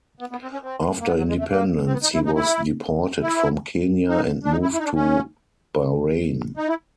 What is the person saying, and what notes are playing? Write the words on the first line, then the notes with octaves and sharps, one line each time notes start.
After independence, he was deported from Kenya and moved to Bahrain.
B3
B3
C4
C#4
C4
A#3
B3
F#3
G#3
A3
A#3
C4
B3
D#4
E4
D#4
E4
E4
D#4
D4
D#4
E4
E4
D#4
D4
C#4
D#4
E4